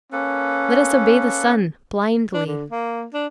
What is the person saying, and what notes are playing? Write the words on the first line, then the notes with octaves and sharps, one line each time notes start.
Let us obey the sun blindly.
A#3 C#4 A4 B4
D4
D3
A#3
D4